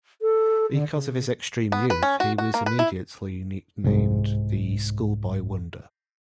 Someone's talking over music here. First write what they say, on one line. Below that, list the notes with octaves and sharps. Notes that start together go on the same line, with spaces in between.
Because of his extreme youth, he was immediately nicknamed "The Schoolboy Wonder".
A4
D3
C#3
B3
B4
C#4
F#4
F#4
A#3
B4
E4
C2 G#2